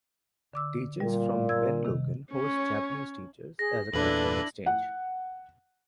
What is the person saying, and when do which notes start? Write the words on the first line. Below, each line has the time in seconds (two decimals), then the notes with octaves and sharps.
Teachers from Ben Logan host Japanese teachers as a cultural exchange.
0.53 D3 D6 E6
1.00 A#2 G3
1.49 E6 G#6
1.85 C3 D#3
2.32 C#4 C#5
3.59 G#4 A#6
3.94 E2 A#2 D4 E4 A4 B4 F#7
4.66 F#5